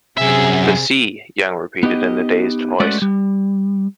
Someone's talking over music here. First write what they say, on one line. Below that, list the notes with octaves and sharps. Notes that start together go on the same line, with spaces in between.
"The sea," Young repeated in a dazed voice.
F#2 C3 G#4 E5
B3 D#4 G4 D#5
G#3 A3 C#4 F#4 B4 D5
G3